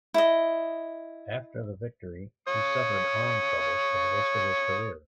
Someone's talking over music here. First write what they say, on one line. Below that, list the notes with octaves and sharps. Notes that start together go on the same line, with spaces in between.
After the victory, he suffered arm troubles for the rest of his career.
E4 D#5
C#5 D#6